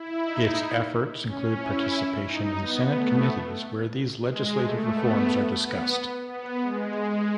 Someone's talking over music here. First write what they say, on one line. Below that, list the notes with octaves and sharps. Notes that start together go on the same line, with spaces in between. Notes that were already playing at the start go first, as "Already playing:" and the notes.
Its efforts include participation in Senate committees where these legislative reforms are discussed.
Already playing: E4
D#4
C#4
E4
E4
D#4
B3
A3
G#3
A3
B3
B3
B3
G#3